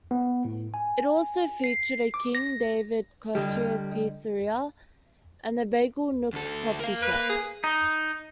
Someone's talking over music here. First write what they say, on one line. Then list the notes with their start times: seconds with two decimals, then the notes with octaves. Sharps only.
It also featured a King David kosher pizzeria and The Bagel Nook coffee shop.
0.11 B3
0.45 A2
0.74 G#5
1.64 C7
2.14 D6
2.35 A#6
3.35 D3 G3 G4 D#5
6.33 D2 A4
6.80 A#4 F5
7.02 B4
7.29 G#4
7.64 D#4